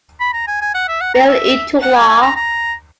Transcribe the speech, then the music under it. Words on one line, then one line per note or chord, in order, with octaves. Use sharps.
Bill into law.
B5
A#5
G#5
G#5
F#5
E5
F#5
A#5
E5
F#5
G#5
G#5
A#5
A#5